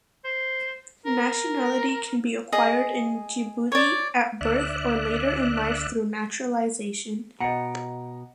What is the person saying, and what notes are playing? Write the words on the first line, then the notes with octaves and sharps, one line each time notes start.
Nationality can be acquired in Djibouti at birth or later in life through naturalization.
C5
A#4
G#4 D#5
C#5 D5
D2 D5 E5 F#6
B2 D#5 F#5 A#5 C#7